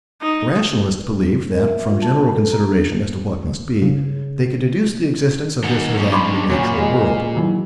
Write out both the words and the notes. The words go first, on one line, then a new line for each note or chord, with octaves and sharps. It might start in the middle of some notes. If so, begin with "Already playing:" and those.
Rationalists believed that, from general consideration as to what must be, they could deduce the existence of this or that in the actual world.
D#4
A#4
E5
F4
A5
A4
A#5
D4
C#3
D#3 D#4 F#5
F#3 C#4 D#4
B5 C6 D6
A#2 F#3 C#4
G#3
D#3 E3 F#3